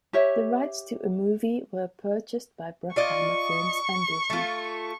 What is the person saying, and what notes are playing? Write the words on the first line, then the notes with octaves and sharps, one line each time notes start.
The rights to a movie were purchased by Bruckheimer Films and Disney.
G4 C#5 E5
F4 D5 D#5 C#6
A3 F4